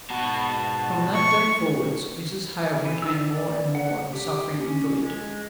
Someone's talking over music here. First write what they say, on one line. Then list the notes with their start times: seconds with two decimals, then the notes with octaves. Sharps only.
From that day forwards Mrs. Hale became more and more of a suffering invalid.
0.10 G#2 B2 F#4 A5
1.15 C#6
2.85 E3
3.02 E6
3.15 D5
3.75 F#5
4.13 G4
4.61 C#4
5.03 G#3